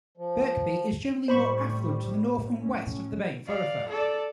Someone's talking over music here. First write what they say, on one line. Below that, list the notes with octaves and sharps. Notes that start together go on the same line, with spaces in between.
Birkby is generally more affluent to the north and west of the main thoroughfare.
F3
A2 G3 C5 B5 C#6
A2 C#4
D5 F5
A4 D5